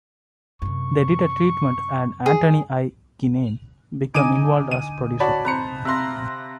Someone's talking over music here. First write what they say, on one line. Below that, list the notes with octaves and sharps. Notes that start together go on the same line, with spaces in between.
They did a treatment and Antony I. Ginnane became involved as producer.
F#2 C3 C#6
G#4
D3 D#4 G#5 D6 D7 D#7
D#7
F#4 C#5 D5 A5 B5
F2 B4 C5 A#5 C#7
C3 E5 F5 A#5 C6 F#6 A#6